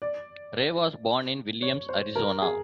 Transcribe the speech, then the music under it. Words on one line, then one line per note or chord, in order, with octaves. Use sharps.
Ray was born in Williams, Arizona.
D5
C#5
C5
A#4
G#4